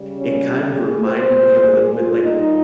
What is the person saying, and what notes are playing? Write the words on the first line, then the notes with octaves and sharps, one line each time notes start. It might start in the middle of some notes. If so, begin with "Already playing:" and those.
it kind of reminded me a little bit, like
Already playing: C#3 G3
C#4
G4
G#4
A#2 G3 C5
G#4
F4
A#2 G3 D#4